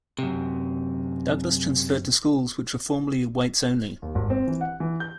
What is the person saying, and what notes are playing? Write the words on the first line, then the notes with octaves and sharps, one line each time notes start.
Douglas transferred to schools which were formerly whites-only.
F#2 C3
D#2
G#1
C4
E3
F#5
E3
G6